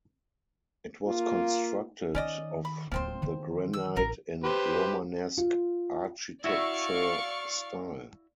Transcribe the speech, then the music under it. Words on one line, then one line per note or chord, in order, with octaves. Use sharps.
It was constructed of the granite in Romanesque architecture style.
A#3 F4
D#3 C#4 D5 D#5
B5
D1 F3 A#3 C4 C5
D#3 E3
E6
A1 A#4
G4 B4 C5
F4
E4 F#4 D5 E5 F5 C#6